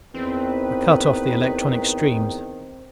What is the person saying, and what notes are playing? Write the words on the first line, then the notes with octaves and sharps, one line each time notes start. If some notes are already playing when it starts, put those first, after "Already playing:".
I cut off the electronic streams.
E2 D#3 C4 B4